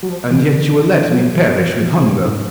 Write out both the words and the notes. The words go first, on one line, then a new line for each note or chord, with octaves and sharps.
"And yet you will let me perish with hunger?"
F#3
F3
E3
D3
D#3
E3
F3
F#3
F#3
F3
F3
B2
C3
G#2